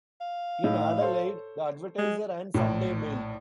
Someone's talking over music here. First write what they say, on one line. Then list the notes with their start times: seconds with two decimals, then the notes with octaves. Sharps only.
In Adelaide, "The Advertiser" and "Sunday Mail".
0.21 F5
0.64 A2 D#4
1.01 A4 C5 C#5
1.98 G#3
2.54 A#1 A2